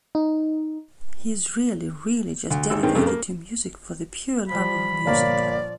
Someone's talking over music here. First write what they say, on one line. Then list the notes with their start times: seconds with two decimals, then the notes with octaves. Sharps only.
He's really, really just dedicated to music for the pure love of music.
0.15 D#4
2.51 D2
2.70 G#1 E6
2.83 G2 D#3 G#3 C4
2.95 F2 C#3 A3
3.07 A#3
4.49 F3 G3 B5
5.05 G1 A#2 F3 A#3 C#5 D5